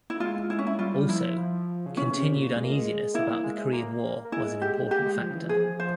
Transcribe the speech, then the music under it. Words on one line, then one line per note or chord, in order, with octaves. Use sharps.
Also, continued uneasiness about the Korean War was an important factor.
E4
G#3 F4
E4
C#4
E4
G3 F4
F3 E4
F3
C#3
E3 C#4
C#3
C3
A#2
G#3
A#3
G#3
A#3 E4
G#3
A#3
A#3
A#3
G#3 E4
G4
A#3 G4
G#3
F3
C#3
E3
F3 G#4
F3 C5